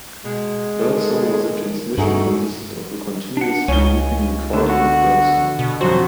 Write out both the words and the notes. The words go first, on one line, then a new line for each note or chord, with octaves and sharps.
"Birdsong" was a transmission consisted of a continuously looping recording of bird song.
B2 G#3
D#3 A3 A4
E2 G2 A3 D#4 F#4 G#4
D4 F#5
C#2 C#5 G#5 G7
D#2 D3 A3 B3
F#4
B2
F2 F#3 F#4 C5